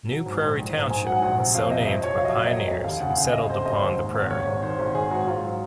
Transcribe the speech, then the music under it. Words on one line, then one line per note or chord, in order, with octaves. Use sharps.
New Prairie Township was so named by pioneers who settled upon the prairie.
F#3
G#2
A#1
A#1
G#2
G#2 G#5
F#3 F#5
G#5
A#1 F#5
C3
F2 F5
C3 D#5
C3 D#5
F2 C#5
F#3 F5
D#5
F#3
D#5
F#3
F1 D#5
D#2 F5
C#3 F#5
C#3 F5
C#3 D#5
F1 C5
F1 D#5
D#2 C5
G#2
G#1
G#1 C#5
G#1
D#3 C5
G#1
G#1 G#4
G#2 F#4
G#2 F4
F#3